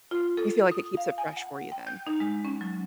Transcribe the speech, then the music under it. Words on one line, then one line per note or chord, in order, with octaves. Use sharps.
You feel like it keeps it fresh for you, then?
F4
A4
D#6
F5
G#5
F#5
G5
G6
D#4
G#3
C#4
F#3